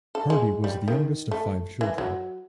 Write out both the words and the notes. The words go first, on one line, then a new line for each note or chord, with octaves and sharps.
Hardy was the youngest of five children.
A4
G#3
G3
D#3
A3
E3
F#3